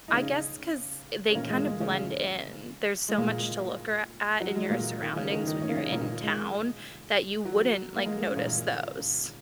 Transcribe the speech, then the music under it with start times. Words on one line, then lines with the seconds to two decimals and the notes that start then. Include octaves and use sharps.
I guess 'cause they kinda blend in; there's so much to look ar at in your surroundings when you're in town that you wouldn't, like, notice those.
0.08 D#4
0.13 C#3 C#4
1.30 C#4
1.35 A#2 A#3
1.50 G#3
1.66 G#3
1.80 C#3 C#4
3.09 G#3
3.18 A#2 A#3
4.41 F#3
4.55 G#3
4.70 A#2 A#3
5.00 D#3 D#4
5.16 C#3 C#4
5.31 D#3 D#4
5.47 D#3 D#4
5.62 C#4
5.69 A#3
5.77 C#3 C#4
5.92 A#2 A#3
6.23 G#3
7.45 F#3
7.96 A#3
8.06 G#3
8.26 C#4
8.36 A#2 A#3